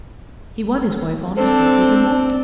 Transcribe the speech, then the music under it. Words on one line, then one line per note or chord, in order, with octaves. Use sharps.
He won his wife honestly;--did he not?
C4 D4 A4 C5